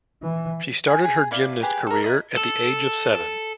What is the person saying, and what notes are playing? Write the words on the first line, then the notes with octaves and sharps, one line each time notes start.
She started her gymnast career at the age of seven.
E3
G#5
G#4
E4 B4 D5 F5
G4 G#4 B4
A4 A#4
E4 D#5 D#6
A4